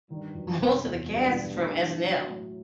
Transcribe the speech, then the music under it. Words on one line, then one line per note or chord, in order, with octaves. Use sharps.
most of the cast is from SNL.
G2 D#3
F#2
C3
E2
G2 F#3
B2
A3
E3
F#3
A2